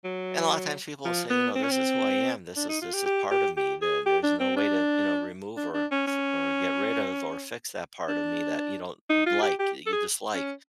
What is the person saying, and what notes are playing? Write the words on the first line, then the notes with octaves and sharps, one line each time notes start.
and a lotta times people will say, you know, "This is who I am. This is this is part of me. There there's no way to, you know, remove or f or get rid of or fix that part of me that you don't like, that you dislike."
F#3
F3
B3
C4
C#4
C4
D4
D#4
F4
G4
G4
G4
G4
G#4
G4
D4
C4
D4
D4
D4
C#4
C#4
D4
D#4
F4
G4
G4
A4
G#4
C#4